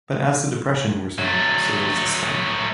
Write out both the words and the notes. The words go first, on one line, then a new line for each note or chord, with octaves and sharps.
But as the Depression worsened, sales slumped.
F#3 A3